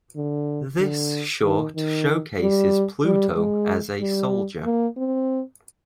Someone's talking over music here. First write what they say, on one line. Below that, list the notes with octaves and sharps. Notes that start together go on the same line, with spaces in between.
This short showcases Pluto as a soldier.
D3
D3
D#3
D#3
G3
G3
G#3
G3
A#3
C4